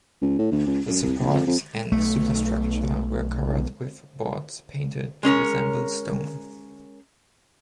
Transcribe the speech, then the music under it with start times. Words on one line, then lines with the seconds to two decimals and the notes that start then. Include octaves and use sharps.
The supports and superstructure were covered with boards painted to resemble stone.
0.22 C#2
0.39 A2
0.52 D2
0.67 C#2
0.89 F#2
1.03 C2
1.20 A#1
1.33 F2
1.47 F2
1.92 B1 A3
5.23 G#3 C#4 A#4 C#5